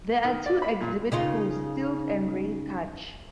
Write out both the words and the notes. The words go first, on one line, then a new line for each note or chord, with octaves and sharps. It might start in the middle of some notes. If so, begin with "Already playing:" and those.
There are two exhibit pools: seals and ray touch.
D#3
D5
B5
A#2
C#3 D#4 F4